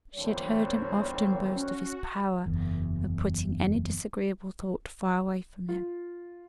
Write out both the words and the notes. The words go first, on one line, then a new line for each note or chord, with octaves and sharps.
She had heard him often boast of his power of putting any disagreeable thought far away from him.
G#1 E2 A#2 D3 G3 C4 C#5
C#4 F#4
F#1 E2
F4